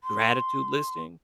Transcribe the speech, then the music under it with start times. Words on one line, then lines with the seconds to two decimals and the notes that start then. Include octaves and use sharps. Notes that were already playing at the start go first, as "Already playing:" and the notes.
gratitude listing,
0.04 C6